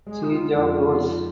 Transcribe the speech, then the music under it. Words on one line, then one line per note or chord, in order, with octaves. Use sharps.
Siege of Rhodes.
G#3 G#4
D#4
D#3 F4
F2 F4